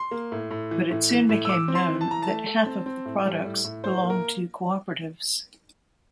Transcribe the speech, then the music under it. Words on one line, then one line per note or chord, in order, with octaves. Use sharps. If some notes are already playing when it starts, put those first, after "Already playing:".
But it soon became known that half of the products belong to cooperatives.
Already playing: C6
A#3
A2
A2
E3
A2
E3
A2
E6
E3 D6
C4
C6
E3
A5
E3 A#5
A5
A3
A3
C4
C4
A2
G3
A2
A2
A2 C5
A#3
A#4